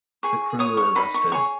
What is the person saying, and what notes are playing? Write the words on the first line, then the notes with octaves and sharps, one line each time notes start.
The crew were arrested.
G#4 C#6
C#5 D#6
C#6
D#4 B5
C#6
G#4 C#5 C#6